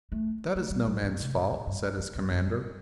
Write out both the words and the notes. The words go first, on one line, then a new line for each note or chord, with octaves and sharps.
"That is no man's fault," said his commander.
A3
A3
G3
F#3
D#3
C3
A#2
A2
G2
F#2
G2
F#2
G2